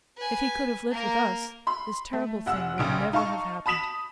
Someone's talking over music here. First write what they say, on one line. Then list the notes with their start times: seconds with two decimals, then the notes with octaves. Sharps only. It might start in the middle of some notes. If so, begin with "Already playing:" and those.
If he could have lived with us, this terrible thing would never have happened.
0.17 B4 G#5
0.92 A#3 A#4
1.67 B5 C6
2.13 A3
2.46 F1 F#5 E6
2.78 A#1 C#3 D7
3.13 D#4 F5 A5 C#6
3.66 A5 B5 D#6 B6 E7 F#7